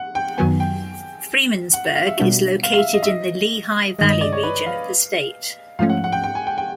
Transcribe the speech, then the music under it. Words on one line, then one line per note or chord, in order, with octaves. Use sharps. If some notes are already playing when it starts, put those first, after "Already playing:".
Freemansburg is located in the Lehigh Valley region of the state.
Already playing: F#5
G5
F#2 D#3 F#3 B3 G#5
G5
F#5
F#5
F5
E5
B2 G3 B3 D4 F#4
F5
F5
E5
D#5
E5
D#5
G2 D#3 G#3 D#5
D#5
D5
C#5
B4
F5
G#2 F3 A3 C#4 F5
F#5
F#5
G5
G5
G#5
G5
G5